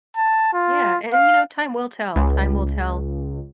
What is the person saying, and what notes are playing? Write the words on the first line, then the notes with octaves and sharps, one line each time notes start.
Yeah. And, you know, time will tell. Time will tell
A5
F4
F5
C#2